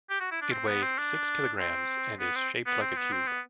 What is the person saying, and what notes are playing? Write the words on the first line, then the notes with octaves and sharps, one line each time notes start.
It weighs six kilograms and is shaped like a cube.
G4
F#4
E4
D4
C4
B3
C4
D4
C4
B3
C4
B3
C4
B3
C4
B3